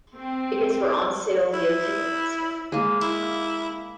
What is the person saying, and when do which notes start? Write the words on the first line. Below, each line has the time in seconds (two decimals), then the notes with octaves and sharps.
Tickets were on sale via Ticketmaster.
0.14 C4
1.53 E4
2.72 G#3 A#3
3.02 E4